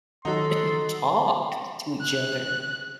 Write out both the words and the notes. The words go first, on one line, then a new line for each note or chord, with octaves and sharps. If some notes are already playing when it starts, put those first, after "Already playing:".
and talk to each other.
D#3 F#3 D#4 A4 F#5 C6
F#6